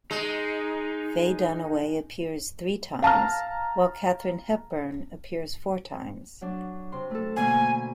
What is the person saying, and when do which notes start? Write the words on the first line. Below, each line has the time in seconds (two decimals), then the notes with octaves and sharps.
Faye Dunaway appears three times, while Katharine Hepburn appears four times.
0.11 G#3 D#4
3.02 F5 A5 A#5 F6
6.41 F#3 D4
6.92 C3 C6
7.11 A3 A4
7.36 B2 D3 A#3 G#5